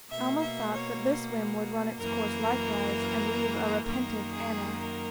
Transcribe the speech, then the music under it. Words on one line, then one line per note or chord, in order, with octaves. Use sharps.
Alma thought that this whim would run its course likewise and leave a repentant Anna.
B2 A#3 E5
E5
C#5
F#2 E3 A#3 A#4
F#2 D#3 A#3 A#4
G#4
A#4